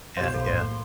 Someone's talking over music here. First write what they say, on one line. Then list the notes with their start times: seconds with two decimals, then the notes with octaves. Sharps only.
yeah, yeah.
0.17 B1 G4 C5 F5
0.34 A4 B5
0.47 A2 A#3 C6